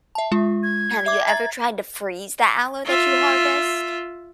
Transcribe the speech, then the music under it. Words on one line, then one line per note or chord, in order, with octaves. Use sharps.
have you ever tried to freeze the aloe that you harvest?
E5 A5
G#3 F4
G#6
E5 D6
E5 A#5 A6
F4 E5